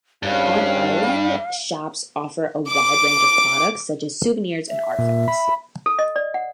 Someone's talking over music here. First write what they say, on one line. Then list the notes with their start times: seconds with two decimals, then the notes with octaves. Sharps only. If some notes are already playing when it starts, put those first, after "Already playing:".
On-island shops offer a wide range of products, such as souvenirs and artifacts.
0.23 G#1 G2 G3 C#4 F5
2.69 D6
4.68 E5
4.99 A#2
5.28 B5
5.86 A4
5.99 D#5
6.16 D5
6.34 F#5